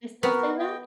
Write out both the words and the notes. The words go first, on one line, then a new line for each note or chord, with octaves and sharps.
they still say that?
B3 F#4 A#4
D#5 G5